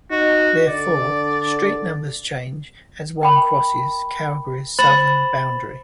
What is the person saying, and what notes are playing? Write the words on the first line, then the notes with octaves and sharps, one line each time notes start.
Therefore, street numbers change as one crosses Calgary's southern boundary.
D#4 F#4
D3 D5
A#4 G5 B5
C5 B5 A6 E7 F#7